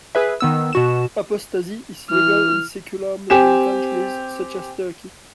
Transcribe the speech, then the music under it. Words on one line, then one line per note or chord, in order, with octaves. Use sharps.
Apostasy is legal in secular Muslim countries such as Turkey.
G#4 B4 E5
D#3 B3 E6
B2 F#4 E7
E3 F6
C4 G4 G#5 E7